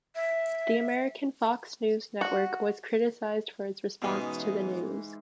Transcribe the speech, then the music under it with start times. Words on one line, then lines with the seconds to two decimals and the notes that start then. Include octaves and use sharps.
The American Fox News network was criticised for its response to the news.
0.15 E5
2.21 F#4
4.02 G#2 B2 E3 C#4 D#4